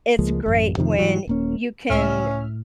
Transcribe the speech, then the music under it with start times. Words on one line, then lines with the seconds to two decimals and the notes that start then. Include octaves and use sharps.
it's great when you can
0.19 C#2 F3 G#3 A#3
0.46 A1 F#2
0.77 F2 C3 D#3 F3
0.99 G#2 E3 F#3
1.27 D#1 A#3 C#4
1.90 C#2 A2 C#4 E5 F6